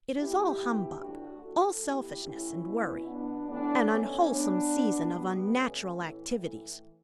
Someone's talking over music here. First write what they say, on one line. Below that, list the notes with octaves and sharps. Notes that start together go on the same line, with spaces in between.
It is all humbug,--all selfishness, and worry; an unwholesome season of unnatural activities.
B2 E4 G4
B2 E4 G4
A2 E3 D4 F#4
A2 E3 F#4 A4
B2 E4 G4
A2 E3 C#4 E4
B2
B2 B3 D4
A2 E3 B3 D4
B2 A3 C#4
B2 B3 D4
B2
B2 G3 B3
B2 A3 C#4
A2 E3
A2 E3